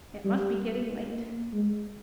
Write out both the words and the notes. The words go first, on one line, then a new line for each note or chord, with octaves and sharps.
It must be getting late!
G3
A#3
G#3